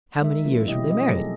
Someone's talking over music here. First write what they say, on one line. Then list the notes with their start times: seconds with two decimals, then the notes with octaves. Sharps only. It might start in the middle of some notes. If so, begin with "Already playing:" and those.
"How many years were they married?"
0.21 G#3 A#4 E5
0.45 E3 F#3 A#3 C#4 E4 F4
0.68 B2 G3 A#3 E4 G4 D#5
0.88 F3 C4 D#5
1.08 F#3 A3 G#4 A4